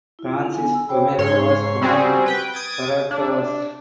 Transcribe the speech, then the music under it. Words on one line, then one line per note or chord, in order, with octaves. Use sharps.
Francis Romero was born in Caracas.
E4 F4
B3 G#5
E6
F#4 C5 C#5 G5 B5 E6
G#2 C#5 C6
G3 C4 F#4 G#4
B4 G5
D#6 G#6 A6 D7
D4